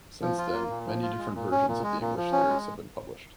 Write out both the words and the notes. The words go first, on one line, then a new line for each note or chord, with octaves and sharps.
Since then, many different versions of the English lyrics have been published.
F3
F4
A#3
A#2
F3
F4
G#3
A#2
C#4
A#2
G#3
A#2
F3
C#4
G#3